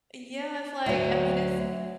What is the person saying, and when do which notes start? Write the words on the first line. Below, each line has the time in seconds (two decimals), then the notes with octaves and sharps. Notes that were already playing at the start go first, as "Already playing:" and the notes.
Yeah, it's like, I mean, it's
0.86 D2 F#3